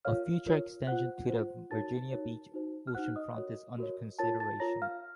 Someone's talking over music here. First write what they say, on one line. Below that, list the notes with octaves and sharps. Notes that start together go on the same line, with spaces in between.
A future extension to the Virginia Beach oceanfront is under consideration.
F4 A#4 C#5 F5 F6
F4 A#4 C#5
F4 C5 F#5 F#6
F4 C5
D#4 F#4 A#4 C#5 A5 A6
D#4 F#4 A#4 C#5
D#4 F#4 C5
F6
D#4 F#4 C5 F#5 F#6
D#5 D#6
F#4 A#4 C#5
F#4 A#4 C#5
F4 A#4 C#5 A5 A6
A5 A6
F4 A#4 C#5 A#5 A#6
F5 F6